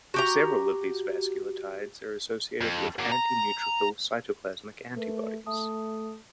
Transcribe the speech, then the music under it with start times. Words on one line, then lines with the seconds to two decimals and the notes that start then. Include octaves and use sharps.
Several of these vasculitides are associated with antineutrophil cytoplasmic antibodies.
0.14 F#4 G4 A#5
2.61 F2
2.99 F#3 A#3
3.12 A#5
4.97 A3 A#4 B4
5.46 A3 E5 A5 D#6